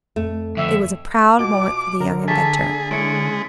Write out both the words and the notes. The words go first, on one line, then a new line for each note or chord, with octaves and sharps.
It was a proud moment for the young inventor.
F2 A3
F2 D3 E5
B2 F4 D6
D3 A#4
A3 A#3 G#4 A4 A6 B6
G#3 C#4 E4 C#7 D7